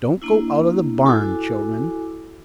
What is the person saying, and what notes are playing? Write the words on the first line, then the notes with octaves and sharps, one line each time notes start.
'Don't go out of the barn, children.
A#3 D4 E4
E4 F#4 A4 G#5 D6